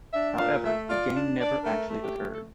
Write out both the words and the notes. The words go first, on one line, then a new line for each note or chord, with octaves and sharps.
However, the game never actually occurred.
D4 E5
A#2 F5
A3 E5
F4 D5
D4
D4 D5
A3 A#4
A3
G4
A3
A4